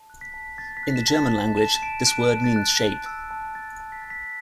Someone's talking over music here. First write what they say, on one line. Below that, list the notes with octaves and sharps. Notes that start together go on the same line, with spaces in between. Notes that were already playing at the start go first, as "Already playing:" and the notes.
In the German language, this word means "shape".
Already playing: A5
F#6
B6
A5
A5 A6
B6
F#6
E7
A5
A6
A5
A5 E7
E7
A5 D7
F#6 D7
A5
A6
F#6
A5
E6
A5
A5 A6
A5
B6
A5 A6
B6